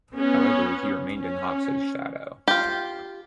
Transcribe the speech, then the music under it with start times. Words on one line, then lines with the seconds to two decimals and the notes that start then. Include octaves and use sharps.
However, he remained in Hoxha's shadow.
0.18 B3 C#4
1.19 C#4
2.48 F4 G4